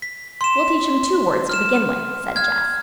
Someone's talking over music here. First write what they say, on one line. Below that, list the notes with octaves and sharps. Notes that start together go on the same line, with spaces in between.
"We'll teach him two words to begin with," said Jess.
B6
C6 E7
F6 E7
F6 G#6